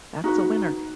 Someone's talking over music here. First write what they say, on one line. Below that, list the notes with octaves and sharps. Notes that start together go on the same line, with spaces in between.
That's a winner!
D#4 F#4 B4